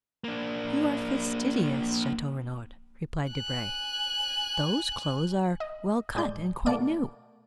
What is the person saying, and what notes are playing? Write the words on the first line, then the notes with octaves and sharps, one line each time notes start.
"You are fastidious, Chateau-Renaud," replied Debray; "those clothes are well cut and quite new."
A#3 D4
G#5 F#6
D#5
A2 G#3 D5 G6
B2 A3 A#3 D5 D7